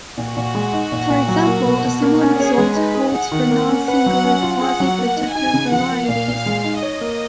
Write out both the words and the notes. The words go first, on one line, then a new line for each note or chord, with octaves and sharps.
For example, a similar result holds for non-singular quasi-projective varieties.
A#2 F#4
A#2
G#3
D#4
A#2
A#2
F#3
A#3
B2
B2
A#3
C#4
G#4 C#5
G#3
D#4 B4
G#4
G#4 F#5
D#3
A#3
C#4
B4 F#5
F#3
C#4
F4
G#4 F#5
F#3
A#3
D#4
D#4 G#5
C#3
F3 F#5
A#3
A#2 F5
A#2
G#3
D#4
C#5 D#5
A#3